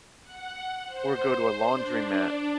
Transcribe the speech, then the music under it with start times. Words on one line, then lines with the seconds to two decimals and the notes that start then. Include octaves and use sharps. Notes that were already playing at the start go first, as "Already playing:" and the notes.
Or go to a laundromat,
0.23 F#5
0.85 C5
1.67 D4